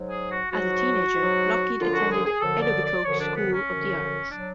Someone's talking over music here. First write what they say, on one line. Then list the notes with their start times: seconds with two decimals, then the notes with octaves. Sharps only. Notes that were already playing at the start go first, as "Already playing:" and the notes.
As a teenager, Lougheed attended Etobicoke School of the Arts.
Already playing: G#2 F#3
0.10 G#4
0.31 F#4
0.51 G#2 F#3 F#4
1.15 G#2 F#3
1.78 F#2 D3 F3 F4
1.94 F#4
2.10 G#4
2.26 G#4
2.41 F#2 D3 F3 A4
2.62 D5
2.84 D5
3.05 F#2 D3 F3 C#5
3.20 D4
3.36 B3
3.52 C#4
3.68 F#2 D3 F3
4.31 F#3 D4